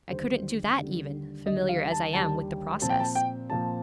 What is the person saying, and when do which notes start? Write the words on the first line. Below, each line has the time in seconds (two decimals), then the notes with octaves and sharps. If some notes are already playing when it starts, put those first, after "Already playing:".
I couldn't do that even, familiar as I am with the process.'
0.10 D#2 D3 G3 C5
0.78 D#2 D3 G3
1.46 D#2 D3 G3 D#5
1.69 F5
1.92 A5
2.13 D#2 D3 G3 A5
2.81 A#2 F3 C4 A5
2.90 G5
3.00 A5
3.15 G5
3.50 A#2 F3 C4 A5